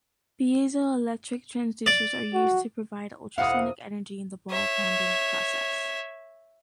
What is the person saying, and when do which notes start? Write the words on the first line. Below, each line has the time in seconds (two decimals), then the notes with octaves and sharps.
Piezoelectric transducers are used to provide ultrasonic energy in the ball bonding process.
1.86 D5
2.34 F#4
3.38 F2 C3 E4 F5 F#5 D#6
4.50 C#5 E5